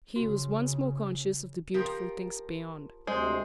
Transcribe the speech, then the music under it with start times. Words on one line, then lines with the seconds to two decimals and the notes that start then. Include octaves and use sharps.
He was once more conscious of the beautiful things beyond.
0.16 C#3 F#4
1.74 F3 G4 A#4
3.07 D2 C3 G#3 C5